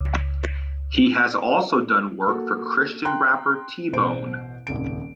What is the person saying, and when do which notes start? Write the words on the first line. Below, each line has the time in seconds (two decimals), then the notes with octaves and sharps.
He has also done work for Christian rapper T-Bone.
0.01 C#2
2.27 A#3 F#4 A4
3.05 G5 A#5 C6 F#6
3.93 A1 B2 C5 D7
4.67 D#1 G#1 C#2 D7